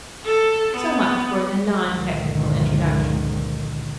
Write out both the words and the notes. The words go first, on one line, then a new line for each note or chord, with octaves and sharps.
So much for the non-technical introduction.
A4
B3
C#2 G2 A#2 D3 D#3 F3